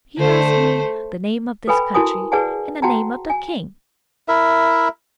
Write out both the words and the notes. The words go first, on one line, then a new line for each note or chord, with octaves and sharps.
He asked me the name of this country and the name of the king.
D3 A3 C5
A4 B4 G5 G#5 B5
E4 F#4 A#4 G#5 A5 D#6
G#4 B4 D5 F#5 G#5 A5
F#4 F#5 G5 A5 A#5
G#5
E4 A#4 E5